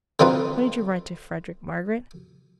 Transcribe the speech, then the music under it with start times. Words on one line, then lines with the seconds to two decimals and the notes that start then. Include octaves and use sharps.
'When did you write to Frederick, Margaret?
0.20 D3 C4 D#4 F4 B4